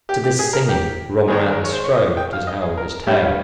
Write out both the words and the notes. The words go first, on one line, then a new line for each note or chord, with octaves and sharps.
To this singing Romarin strove to tell his tale.
G4
G4
G#4
A#4
G4
G#2 D#3 G#3 G#4
A#4
C#5
C5
C#5
D#5
G5
F5
D#5
G#4
A#4
G2 G3 C#4 G4
F4